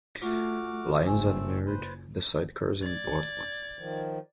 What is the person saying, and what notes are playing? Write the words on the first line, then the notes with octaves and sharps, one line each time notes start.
Lyons admired the sidecars and bought one.
A3 F4 F#4 D6 F6
F#1 A3 C4 G#5 E6
B4 C5
D5 G#6
D#3 F3